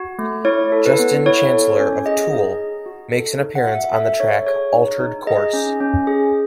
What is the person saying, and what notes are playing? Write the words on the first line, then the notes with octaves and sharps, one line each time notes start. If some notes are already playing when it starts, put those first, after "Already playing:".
Justin Chancellor of Tool makes an appearance on the track, "Altered Course".
Already playing: F#4
A3
E4 C#5
A4
B4
B3
E4 C#5
A4
C#4
G#4 D#5
D#4
D#4
F#4
A4
D#4
F#5
F#4 E5
A4 E5
D#4 C#5
G#4 C#5
D#4
D#4
G#4 D#5
C#4
C#4
G#4